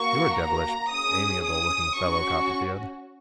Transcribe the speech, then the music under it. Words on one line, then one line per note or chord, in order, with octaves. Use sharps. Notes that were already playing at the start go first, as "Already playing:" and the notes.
You're a devilish amiable-looking fellow, Copperfield.
Already playing: A#3 F#4 C#6
A#5
C#4 G#4 D#6
D#6
C#4 F#4 C#6